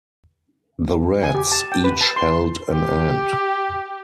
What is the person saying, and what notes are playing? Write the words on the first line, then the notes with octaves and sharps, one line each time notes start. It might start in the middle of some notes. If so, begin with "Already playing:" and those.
The rats each held an end.
G#5
G4
A5
G5
B4
A5
C6
G4